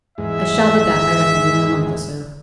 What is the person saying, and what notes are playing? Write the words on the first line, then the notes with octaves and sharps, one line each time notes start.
I shall be back, I reckon, in a month or so.'
E2 G#2 G#3 E5